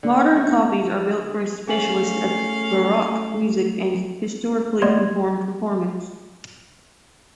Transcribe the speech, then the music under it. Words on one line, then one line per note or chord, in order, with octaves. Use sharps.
Modern copies are built for specialists of baroque music and historically informed performance.
D3
A3 F#4
A3 C#4 G#4 F5 G#5 F#7
A3 B3 D5 D#5 C6 G#6